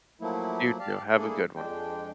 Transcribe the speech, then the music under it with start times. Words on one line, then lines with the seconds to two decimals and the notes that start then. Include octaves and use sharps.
You too, have a good one.
0.21 F3 F#3 A3 A#3 E4
0.79 G4 D5 F5 A5
1.16 A3 A#3 D4 E4 G#4 A4
1.56 F2 G#3 D4 G5